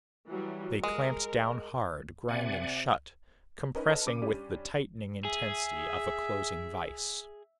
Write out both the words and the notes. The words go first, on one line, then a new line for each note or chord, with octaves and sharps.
They clamped down hard, grinding shut, compressing with the tightening intensity of a closing vise.
E3 F#3 G3
G#3 A#4
C3 D5 E5 F#5 G#5
C#4 D#4 A#4 B4
A4 B4 C#5 D#5 A5 F6
C#3 D6 D#7
G3 C#4 D4 G4
G#4 E5